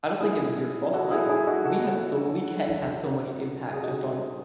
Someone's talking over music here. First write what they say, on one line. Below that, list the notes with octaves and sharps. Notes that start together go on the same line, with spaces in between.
I don't think it was your fault, like, we have so we can have so much impact just on
E4 G#4
F#4 A4
E4 G#4
E4 G#4
D#4 F#4
F#4 A4
G#4
D#4 F#4